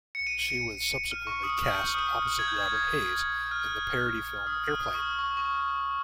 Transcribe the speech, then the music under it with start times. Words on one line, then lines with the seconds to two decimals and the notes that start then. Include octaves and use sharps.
She was subsequently cast opposite Robert Hays in the parody film, "Airplane!".
0.15 C#7
0.27 D#7
0.39 C#7
0.50 C#7
1.12 F6
1.27 C#6
1.43 D#6
1.59 F6
1.71 G6
1.84 F6
1.95 D#6
2.07 D#6
2.22 F6
2.39 G#6
2.48 G6
2.57 G#6
3.51 F6
4.47 D#6
4.64 F6
4.80 D#6
4.95 C#6
5.19 C#6
5.37 C#6